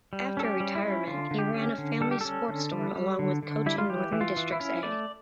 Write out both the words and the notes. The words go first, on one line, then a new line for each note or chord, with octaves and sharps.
After retirement he ran a family sports store along with coaching Northern Districts A.
G3
C#4 A4
G4
G3
E4
C#4
D3 F4
D3
G4
C#4
D3
G3 A4
G4
C#4 A4
D3
G3
G3
D3
D3
G3 E4
F4
E3 G4
E3
F4
E3
E4
C#4
A3 D5